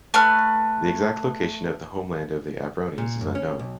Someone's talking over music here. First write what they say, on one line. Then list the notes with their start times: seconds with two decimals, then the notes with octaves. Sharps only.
The exact location of the homeland of the Ambrones is unknown.
0.14 A3 B4 F6
2.98 A#2
3.21 F#2
3.35 C#4
3.59 B1